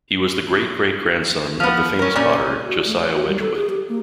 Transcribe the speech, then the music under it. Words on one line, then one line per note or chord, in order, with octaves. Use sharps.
He was the great-great-grandson of the famous potter Josiah Wedgwood.
F3 B3 F6
C#4 A#4
A#2 C#4 D5
F#4
A3
C#5
F#4
G3
A4
G#4
G4
A#3